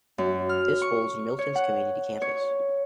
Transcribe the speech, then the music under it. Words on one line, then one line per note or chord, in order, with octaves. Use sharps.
This holds Milton's Community Campus.
F#2
F6
C#6
C#5
F#5
C#5